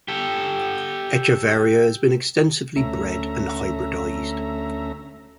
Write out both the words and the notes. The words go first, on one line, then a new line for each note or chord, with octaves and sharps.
"Echeveria" has been extensively bred and hybridised.
G4 A4
D2 A3 C#4 E5 A#5